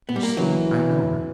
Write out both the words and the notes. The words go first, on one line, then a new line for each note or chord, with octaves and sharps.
You see I know her.'
B3
G3
A#3
E3 F#3